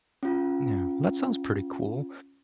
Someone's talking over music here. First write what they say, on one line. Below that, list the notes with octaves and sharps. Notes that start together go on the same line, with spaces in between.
Yeah. Well, that sounds pretty cool.
C#4 F4